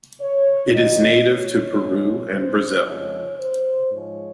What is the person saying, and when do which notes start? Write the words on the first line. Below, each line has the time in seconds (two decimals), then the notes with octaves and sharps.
It is native to Peru and Brazil.
0.21 C#5
0.73 D#2 D#3 F#3 D#5
1.27 C#5
1.79 G#2 F3 G#3
2.33 C5
2.86 F2 C#3 F3 G#3 C#5
3.39 C5
3.92 G#2 F3 G#3 C#5